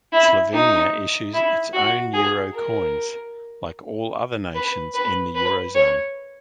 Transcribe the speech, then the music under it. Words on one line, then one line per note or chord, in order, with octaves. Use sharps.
Slovenia issues its own euro coins, like all other nations in the Eurozone.
E4
D#4
E4
F#4
G#4
A#4
B4
B4
B4
C#5